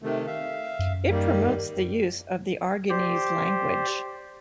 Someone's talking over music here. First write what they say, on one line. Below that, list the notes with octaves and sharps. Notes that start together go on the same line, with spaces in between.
It promotes the use of the Aragonese language.
C3 D#3 A3
E5 F5
F#2
D#3 G3 A#3
G4 C5 D5